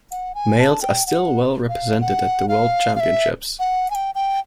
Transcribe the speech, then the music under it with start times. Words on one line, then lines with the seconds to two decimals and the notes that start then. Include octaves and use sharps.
Males are still well represented at the world championships.
0.11 F#5
0.35 G#5
0.59 A5
0.82 G5
1.07 F#5
1.69 F5
2.01 F#5
2.49 F5
2.95 F5
3.00 E5
3.59 F#5
3.90 G#5
3.95 G5
4.15 G5